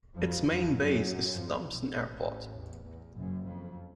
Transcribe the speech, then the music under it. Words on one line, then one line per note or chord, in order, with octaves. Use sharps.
Its main base is Thompson Airport.
F2 F3
F2 F3
F#2 F#3
F2 F3
B1 B2
A1 A2
E2
E2
F#1 F#2
F2